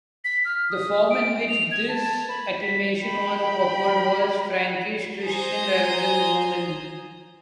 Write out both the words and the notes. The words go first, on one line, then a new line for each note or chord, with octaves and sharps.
The form in which this acclamation was offered was Frankish-Christian rather than Roman.
B6
F6
D#6
D7
F7
G#6
A5
B5
B6
G5 B5
C5 G#5 A#5 D#6 G6